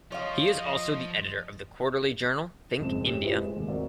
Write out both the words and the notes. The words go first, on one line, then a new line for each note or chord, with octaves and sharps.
He is also the editor of the quarterly journal "Think India".
F3 C#5 D#5 F5
F#1 F2 G#2 C4 E7
C#4 G4 E7
E4 F4 G4 B4 C5 D#5
G#3
D#2 G#2
C4 F#4 A#4 D5